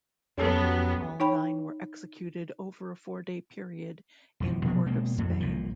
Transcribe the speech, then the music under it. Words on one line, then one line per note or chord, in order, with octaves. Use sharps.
All nine were executed over a four-day period in Port of Spain.
F2 F#3 B3 C#4 G4 A4
D#4 C#5 G5 B5
E1 F#2 E3
B2 F3 B3 D4
B2 G#3 A#3 C4
F2 A2 F#3 A3
C2 A#2 F3